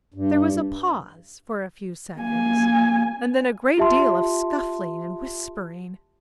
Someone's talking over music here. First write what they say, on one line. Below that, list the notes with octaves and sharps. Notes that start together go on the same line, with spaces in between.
There was a pause for a few seconds; and then a great deal of scuffling and whispering.
G2
A#3 G#5
F4 G4 E5 A5 C6